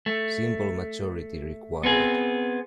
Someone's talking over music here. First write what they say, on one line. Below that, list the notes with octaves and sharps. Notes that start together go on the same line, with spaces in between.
Simple Majority required.
A3
B3 C4 G#4